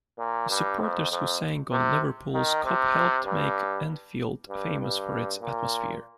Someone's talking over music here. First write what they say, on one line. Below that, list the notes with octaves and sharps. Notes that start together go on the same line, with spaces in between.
The supporters who sang on Liverpool's Kop helped make Anfield famous for its atmosphere.
A#2
G2
F2
F2
C3
D#3
C3
G2
G2
G2
A#2